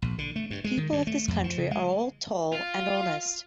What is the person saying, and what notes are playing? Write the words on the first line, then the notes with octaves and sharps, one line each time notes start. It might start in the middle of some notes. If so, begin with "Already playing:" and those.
The people of this country are all tall and honest.
A#1
D3
A3
G2
G#3
D#3
G2
A3
F2
F3
C#3
G#3
F4